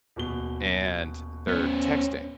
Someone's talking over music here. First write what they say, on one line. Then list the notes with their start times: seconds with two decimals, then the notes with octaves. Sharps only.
and they're texting
0.16 D#1 B2 G7
1.48 B3 C#4